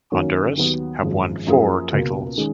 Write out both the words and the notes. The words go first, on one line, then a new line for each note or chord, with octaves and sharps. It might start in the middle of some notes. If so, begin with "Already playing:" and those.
Honduras have won four titles.
F#2 D#3 F#3 A#3 C#4
D#2 D#3 F#3 B3 F#4
G#1 F#2 F3 G#3
F#2 F3 A#3 C#4 G#4
C#2 B2 A#3
D#3 G#3 C#4